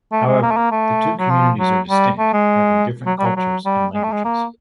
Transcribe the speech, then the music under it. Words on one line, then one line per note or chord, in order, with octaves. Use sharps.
However, the two communities are distinct, having different cultures and languages.
A3
G#3
A#3
A3
A#3
A3
F#3
F3
F#3
G3
A3
G#3
F#3
G3
F#3
F#3
G3
G#3
A3
G#3
A#3